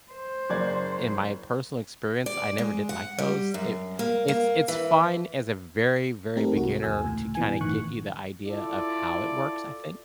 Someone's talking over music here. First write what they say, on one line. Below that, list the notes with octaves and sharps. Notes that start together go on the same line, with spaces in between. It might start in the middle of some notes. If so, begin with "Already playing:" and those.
in my personal experience, I never did like those, it it's it's fine as a very, very beginner to kinda get you the idea of how it works, I think,
C5
F#1 D5 G#6
D5
G#3
F#5
G3
F#2
A#3
A#3
E3
A3 C4 D#4 G4 A4 A#4
C2 F#4
E2 G#5 E6
C#2 A2
B2 E3 G#5
G1 A2 D#3 E3 C#6 F#6
E4 F4 A4 D5